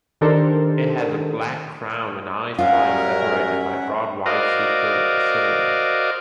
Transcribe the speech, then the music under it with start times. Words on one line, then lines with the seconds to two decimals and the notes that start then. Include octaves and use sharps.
It has a black crown and eye stripes separated by a broad white supercilium.
0.21 D#3 D4 G4 A4 A#4 C5
2.59 F#2 G3 C#4 F4 A#4 E5 F#5
4.26 F#4 A#4 C5 D5 D#5 F5